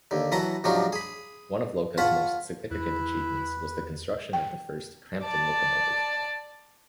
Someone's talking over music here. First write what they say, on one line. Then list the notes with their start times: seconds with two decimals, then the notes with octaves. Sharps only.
One of Lowca's most significant achievements was the construction of the first Crampton locomotive.
0.11 D#2 D3
0.32 E3 F#3 B4 F#5 A5 A#5
0.64 G#2 C3 F3 F#3 D4 C#6
0.93 G#4 B5
1.98 F4 C#5 F#5 A5 B5
2.71 E2 E4 B4
4.33 G5
5.23 D5 A5